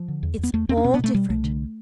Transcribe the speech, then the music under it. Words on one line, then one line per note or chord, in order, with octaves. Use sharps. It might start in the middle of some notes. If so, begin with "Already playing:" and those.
It's all different.
Already playing: F3
D3
E2
E2 B3
E2 A3
E2 C4
D4
B2 C4
B3
B2 A3
B2 G3
C2 A3
D3